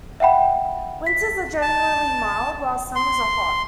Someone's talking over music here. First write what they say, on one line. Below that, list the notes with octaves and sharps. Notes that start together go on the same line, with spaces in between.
Winters are generally mild while summers are hot.
E5 F#5 G5 B5
B6
A5
C6